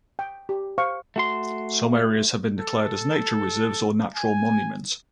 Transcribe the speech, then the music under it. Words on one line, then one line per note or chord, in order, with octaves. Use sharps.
Some areas have been declared as nature reserves or natural monuments.
G5
G4
C5 F5 C#6
A3 F#4 C6
A4
G#5